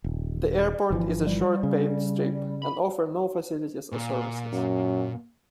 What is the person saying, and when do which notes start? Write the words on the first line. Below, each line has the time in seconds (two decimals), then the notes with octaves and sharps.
The airport is a short paved strip, and offer no facilities or services.
0.04 D#1
0.90 G1 E3 F3
1.27 G3
1.63 C#3
2.62 B5
3.92 A#2
4.53 F#2